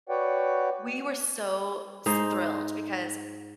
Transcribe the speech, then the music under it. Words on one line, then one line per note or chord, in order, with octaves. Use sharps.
We were so s thrilled because
F#4 B4 C#5 D5 F#5 G5
G#2 D#4 C5